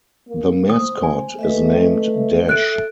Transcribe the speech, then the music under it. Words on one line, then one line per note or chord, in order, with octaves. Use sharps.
The mascot is named Dash.
A#3
C5 D#6
G#5
A3 B4 D#5 E5
A4 E5 F#6 D7